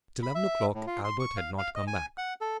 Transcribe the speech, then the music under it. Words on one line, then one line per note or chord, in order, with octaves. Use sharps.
At eleven o'clock Albert had not come back.
B5
E5
A2
F4
C6
C#6
F5
F5
D#5
G#5
F#5
A4